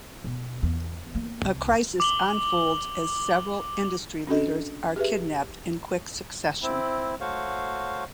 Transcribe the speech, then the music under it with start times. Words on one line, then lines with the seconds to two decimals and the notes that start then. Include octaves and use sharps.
A crisis unfolds as several industry leaders are kidnapped in quick succession.
0.24 B2
0.63 E2
1.15 A#3
1.42 C2
2.00 D6 F#7 G7
4.27 C#4 D4 F#4 A4 D#5
4.96 G4 G#4 B4 E5
6.63 C4 E4
7.21 A3 F#4 C5 C#5 F5